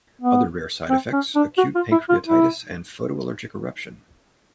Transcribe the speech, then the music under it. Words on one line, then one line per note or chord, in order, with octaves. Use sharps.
Other rare side effects: acute pancreatitis and photoallergic eruption.
B3
C4
C#4
D4
F#4
F4
E4
F4
E4